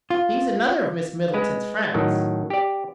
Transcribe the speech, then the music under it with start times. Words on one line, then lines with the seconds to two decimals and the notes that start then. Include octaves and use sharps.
"He's another of Miss Middleton's friends."
0.10 F4
1.34 G#3 B4
1.94 A2 D#3 F#3
2.50 G4 D5